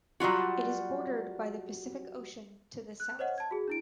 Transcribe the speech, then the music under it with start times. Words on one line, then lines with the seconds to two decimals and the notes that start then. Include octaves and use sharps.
It is bordered by the Pacific Ocean to the south.
0.20 F#3 G3 F4 F#4
3.00 F#6
3.19 C5 C#5 D#5 F#5
3.38 A5 G#6
3.51 F#4 G#4
3.68 D4 E4 D7